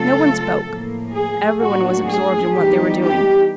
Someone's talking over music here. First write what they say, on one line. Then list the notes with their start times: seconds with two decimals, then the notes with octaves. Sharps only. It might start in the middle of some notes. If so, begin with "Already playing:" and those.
No one spoke. Every one was absorbed in what they were doing.
Already playing: C#3 F#3 A3 C4 F4 A4
0.65 A2 F3 A#3
1.12 G#4
1.59 A2 F#3 A#3 D4 F#4
2.07 G#4
2.53 E3 G3 B3 D#4 G4
3.02 G4